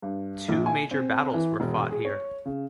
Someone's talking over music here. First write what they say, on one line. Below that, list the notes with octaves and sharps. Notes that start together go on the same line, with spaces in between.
Two major battles were fought here.
G2
A#1
G#5
C4
E3
E1
G#4
C#5
C#3